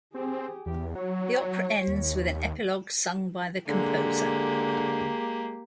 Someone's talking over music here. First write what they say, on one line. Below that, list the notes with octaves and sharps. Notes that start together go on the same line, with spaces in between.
The opera ends with an epilogue sung by the Composer.
C4 G4 G#4
E2 G4
F#3 C#5
D#2
D3 G#3 A#3 G4